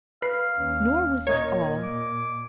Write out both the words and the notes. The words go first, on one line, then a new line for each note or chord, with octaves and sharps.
Nor was this all.
B4 F5 C7
D#2 C#4
A#2 A#4 C#5 D#5 G#6
D6